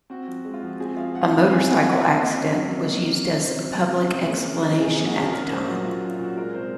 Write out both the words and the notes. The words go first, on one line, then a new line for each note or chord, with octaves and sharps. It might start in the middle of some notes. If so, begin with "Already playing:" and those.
A "motorcycle accident" was used as a public explanation at the time.
C4 F#4
F3
G#3
F4
F3 F#4
C4 G#4
F3 F5
F3 F#5
C4 F5
C4 G#5
F3 G#5
F3 F#5
C4
A#3 D#5
C#4
F#3
C3
A#3
C#4
C#4
C3 C5
F#3
C3
C#4
C3
A#3 G#4
C#4
F3
C3 G#4
A#3
F#4
C#4 G#4
C#4 A#4
A#2 C5
F#3 F#4
A#2 F4
F#4
C#4
F4
A#2 F#4
G#3 A#4
C3 C5